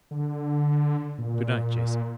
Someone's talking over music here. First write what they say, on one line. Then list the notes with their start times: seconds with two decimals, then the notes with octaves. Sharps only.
"Good-night, Jason."
0.11 D3
1.18 A#2